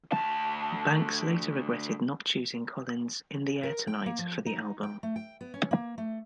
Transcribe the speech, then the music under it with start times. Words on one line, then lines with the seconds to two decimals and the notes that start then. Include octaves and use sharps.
Banks later regretted not choosing Collins' "In the Air Tonight" for the album.
0.12 D2 A5
3.63 A#4
3.87 G5
4.06 A#3
4.19 F3
4.46 D#4
4.83 G5
5.03 A3
5.16 G5
5.41 B3
5.54 C#4
5.71 A#3
5.98 A3